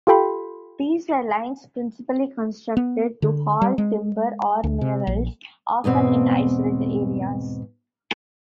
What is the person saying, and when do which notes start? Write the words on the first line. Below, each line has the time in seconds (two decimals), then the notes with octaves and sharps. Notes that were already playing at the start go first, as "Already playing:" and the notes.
These were lines principally constructed to haul timber or minerals, often in isolated areas.
0.07 F4 G4 A4 G5 B5 C6
2.77 B3
3.22 D3
3.61 G3
3.78 G#3
4.64 D2
4.81 C3
5.07 A#1
5.84 E2 G#2 B2 C4